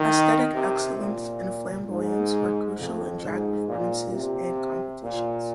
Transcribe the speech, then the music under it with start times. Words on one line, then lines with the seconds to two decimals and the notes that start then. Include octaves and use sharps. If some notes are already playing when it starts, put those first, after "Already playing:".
Aesthetic excellence and flamboyance were crucial in drag performances and competitions.
Already playing: D#3
0.54 C3
0.98 A#2
1.89 G#2
2.79 F2
3.24 G#2
3.68 A#2
4.14 C3
5.03 A#2